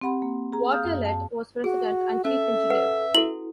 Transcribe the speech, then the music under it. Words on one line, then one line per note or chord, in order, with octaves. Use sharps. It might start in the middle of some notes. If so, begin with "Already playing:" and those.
Vautelet was President and Chief Engineer.
C4 G4 F#5 B5 C6
A#3
G#4 A#5
F5 D#6 F6 G6
F#2
A5
F#4 G#4
C#4 A4 E5
B4 F#5
E4 F#4 A4 F#7